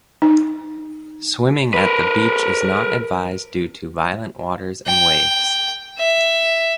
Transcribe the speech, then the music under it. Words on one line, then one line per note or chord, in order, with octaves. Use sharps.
Swimming at the beach is not advised due to violent waters and waves.
D#4
A#4 B4
G5
E5